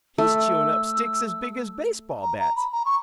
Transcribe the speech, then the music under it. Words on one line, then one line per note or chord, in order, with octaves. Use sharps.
He's chewin' up sticks as big as baseball bats!
A3 E6
A#5
A#5
B5
A#5
C#6